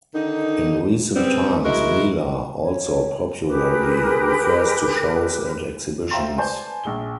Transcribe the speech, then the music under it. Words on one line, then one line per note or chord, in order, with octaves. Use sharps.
In recent times "Mela" also popularly refers to shows and exhibitions.
D3 D#3 D#4
C#3 G3 B3 C4
F#3 G#3 E4 F#4 A#4
C#5
G4 G#4 A#4 B4
C5 E5 F5 G5 A#5 C6
B4 C5 D5 G#5 A5 G6
A#1 G#4 G7